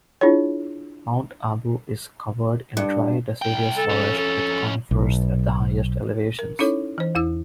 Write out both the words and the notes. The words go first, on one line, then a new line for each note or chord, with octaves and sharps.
Mount Abu is covered in dry deciduous forest with conifers at the highest elevations.
D4 E4 F4 G#4 C#5
G2
C2 G5
A4
F2 C#4
A4
B1
A#4
C#4 D#4 E4 A4 C#5
E3 C5
E2 E4 E6